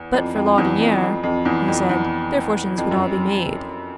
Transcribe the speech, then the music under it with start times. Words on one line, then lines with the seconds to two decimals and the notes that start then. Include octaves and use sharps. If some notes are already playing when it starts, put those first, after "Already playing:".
But for Laudonniere, he said, their fortunes would all be made.
Already playing: E2
0.14 F2
0.36 F2
0.58 E2
0.80 F2
1.02 F2
1.24 F2
1.45 E2
1.68 F2
1.89 E2
2.78 F2
2.91 F#2